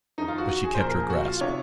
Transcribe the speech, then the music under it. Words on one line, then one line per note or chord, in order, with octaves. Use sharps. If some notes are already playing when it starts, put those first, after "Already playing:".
But she kept her grasp.
F2 D#3 D#4
F4
F#4
F#4
G#4
C5
A#2 F3 A#4
A#4
G#4
F#4
F4
C3 D#3 C#5